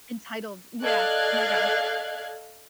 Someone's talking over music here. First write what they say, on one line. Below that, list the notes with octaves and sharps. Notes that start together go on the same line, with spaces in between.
Entitled, yes, oh my gosh.
A4 D5 D#5 F5 F#6 G#6